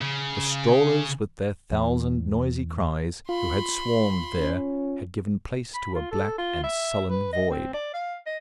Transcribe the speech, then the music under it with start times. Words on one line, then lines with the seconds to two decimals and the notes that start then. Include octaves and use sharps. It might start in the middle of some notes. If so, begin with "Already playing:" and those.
The strollers, with their thousand noisy cries, who had swarmed there, had given place to a black and sullen void.
0.02 C#3
1.72 E2
3.29 F4 B5 C6
4.37 C#4
5.74 B5
5.94 F4
6.11 A4
6.38 F4
6.64 E5
7.10 B4
7.33 D#5
7.50 C4
7.74 D5
7.94 F5
8.26 D#5